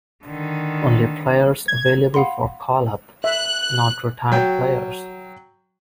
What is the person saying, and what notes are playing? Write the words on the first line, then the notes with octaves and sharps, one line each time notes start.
Only players available for call-up, not retired players.
D3 D#3
G#6
F5 F#5 B5 C6
E5 F#6
F#3 G5